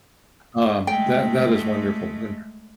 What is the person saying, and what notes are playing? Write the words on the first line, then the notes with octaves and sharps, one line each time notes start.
Um, that that is wonderful, wonder
G#3 A3 G5